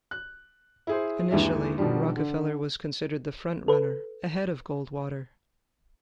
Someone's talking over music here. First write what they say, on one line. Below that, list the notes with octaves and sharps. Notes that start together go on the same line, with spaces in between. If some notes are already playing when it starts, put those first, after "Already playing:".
Initially, Rockefeller was considered the front-runner, ahead of Goldwater.
F#6
E4 G#4 C5
G1 D#2 E3 G#3 E5
B2 D3 D#3 F3 G3
D3
A4 B4